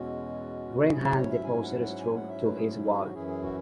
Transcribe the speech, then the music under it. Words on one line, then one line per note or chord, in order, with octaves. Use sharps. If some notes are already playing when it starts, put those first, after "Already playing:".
Grant had the poster stuck to his wall.
Already playing: E2 B2 G#3 C#4 F#4
G#2 F#3 C#4 E4 G#4
G#4
C#5
E5
G#5
F#5
F#5
G#5
F#5
E5
B4
G#4
G#4
F#4
F#2 E3 C#4 E4 G#4
G#4
F#4